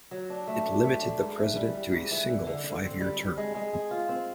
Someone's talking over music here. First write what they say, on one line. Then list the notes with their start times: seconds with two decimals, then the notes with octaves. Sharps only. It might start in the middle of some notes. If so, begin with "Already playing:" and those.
It limited the president to a single five-year term.
0.11 F#3
0.30 D4
0.47 A3
0.66 D4
0.84 A3
1.02 D4
1.19 G#2
1.38 E3
1.56 G3
1.74 G3
1.92 G#2
2.11 E3
2.29 D3
2.47 D3
2.64 D3
2.83 C4
3.00 G3
3.19 G3
3.37 G#3
3.55 G#3
3.73 G#4
3.91 F4
4.09 C4